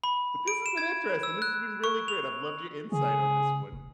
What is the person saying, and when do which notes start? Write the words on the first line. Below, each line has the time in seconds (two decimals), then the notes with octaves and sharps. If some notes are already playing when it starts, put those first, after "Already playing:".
But this has been interesting, this has been really great. I've loved your insight on this one.
0.04 B5
0.48 D7
0.66 E7
0.78 G#6
1.23 E6
1.42 F#6
1.84 C#6
2.08 F7
2.92 C#3 G#4
3.73 E1